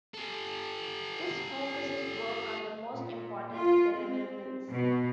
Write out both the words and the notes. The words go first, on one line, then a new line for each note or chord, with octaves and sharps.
This focuses work on the most important deliverables.
G4 A4
A#2
F4
C4
B2